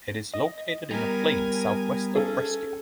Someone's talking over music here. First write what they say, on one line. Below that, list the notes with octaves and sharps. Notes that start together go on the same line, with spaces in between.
It is located in a plain southwest of Brescia.
D#5
G3 B3 A#4 G#5 A#5
C#4 G#4 A4